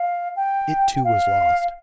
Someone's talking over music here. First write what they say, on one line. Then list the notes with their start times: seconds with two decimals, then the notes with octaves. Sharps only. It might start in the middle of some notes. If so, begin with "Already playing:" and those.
It, too, was lost.
Already playing: F5
0.36 G5
1.04 F5